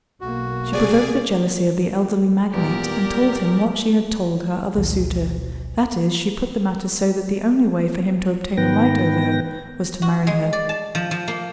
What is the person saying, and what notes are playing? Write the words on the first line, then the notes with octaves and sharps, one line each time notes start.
She provoked the jealousy of the elderly magnate and told him what she had told her other suitor; that is, she put the matter so that the only way for him to obtain a right over her was to marry her.
B1 A#3 F#4
C3 G#4 D5 G#5
E2 A#2 B3 G4 A#4 D5
A1 D2 B2 E3
G#2 D#3 B3 B4 G5 A#6
F#4
G#3
D5
A5
F3
F3
A#3